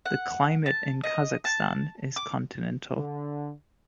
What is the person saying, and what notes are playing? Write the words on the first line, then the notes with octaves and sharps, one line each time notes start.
The Climate in Kazakhstan is continental.
F#5
A5
D#5
A5
D6
D3